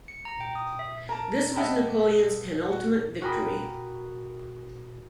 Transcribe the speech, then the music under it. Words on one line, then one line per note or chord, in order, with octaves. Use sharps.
This was Napoleon's penultimate victory.
C#7
A#5
G5
D#6
E5
A#4 A5
D#5 E5 F#5 G5 A5 B5
F#4
F#4 G#4 A#4 G5 B5 D#6